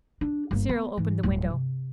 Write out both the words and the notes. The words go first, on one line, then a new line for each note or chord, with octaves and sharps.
Cyril opened the window.
D4
G1 A#3
B3
G#2 E3
D1 G1
C3